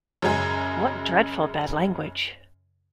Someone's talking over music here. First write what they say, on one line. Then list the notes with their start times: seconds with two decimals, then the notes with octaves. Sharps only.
What dreadful bad language!
0.22 F#2 C#3 G#3 G#4